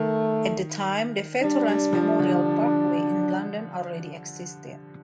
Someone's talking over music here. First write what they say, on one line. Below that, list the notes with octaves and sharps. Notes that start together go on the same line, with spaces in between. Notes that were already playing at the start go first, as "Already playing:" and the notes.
At the time, the Veterans Memorial Parkway in London already existed.
Already playing: D#3 A3
G3 D4
G3
F3
D3